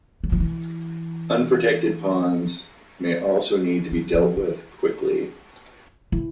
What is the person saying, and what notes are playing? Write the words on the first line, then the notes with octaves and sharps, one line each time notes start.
Unprotected pawns may also need to be dealt with quickly.
F#3
F3
E3
F#3
F3
E3
E3